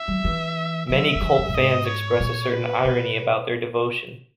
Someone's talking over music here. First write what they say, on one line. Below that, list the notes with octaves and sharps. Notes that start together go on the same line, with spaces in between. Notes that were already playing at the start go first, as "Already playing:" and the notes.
Many cult fans express a certain irony about their devotion.
Already playing: E5
F#3
E3
F#3 E5
D#3
E3
F#2
A#2
G#2 D#5
C#5
A#2
B4
B2